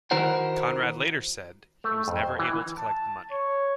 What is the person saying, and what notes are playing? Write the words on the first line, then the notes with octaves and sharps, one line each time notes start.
Conrad later said he was never able to collect the money.
D#3 E4 F#4 A#4 C5 F#5
A3
F2
C5
E3
A5
C#5